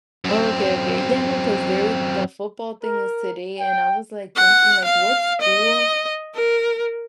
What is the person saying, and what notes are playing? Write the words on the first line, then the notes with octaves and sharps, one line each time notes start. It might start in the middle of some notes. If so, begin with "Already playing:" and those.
Okay, okay, yeah, no, 'cause there the football thing is today, and I was, like, thinking, like, "What school
F#2 C4
A#4
G5
F#5
F5
D#5
A#4